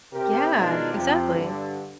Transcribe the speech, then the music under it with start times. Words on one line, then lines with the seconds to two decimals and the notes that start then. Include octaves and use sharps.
Yeah, exactly.
0.13 C3 G4 A#4
0.55 B2 D#3 G#3 D4 D#4 F4
0.93 F2 C3 F3
1.34 G2 D3